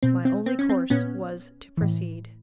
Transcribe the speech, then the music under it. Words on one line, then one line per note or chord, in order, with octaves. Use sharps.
My only course was to proceed.
B2 C4
C4
C4
C#4
C4
A#2 B3 C#4
A2 E3